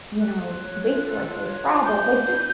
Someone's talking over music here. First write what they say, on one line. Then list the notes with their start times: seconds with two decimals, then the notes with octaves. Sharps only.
you know, waitress or travel." Like, just
0.21 A4 F#6
0.41 F4
0.62 C#5
0.83 F4
1.02 A4
1.23 F4
1.43 C#5
1.64 F4
1.84 G4 G6
2.05 D4
2.25 B4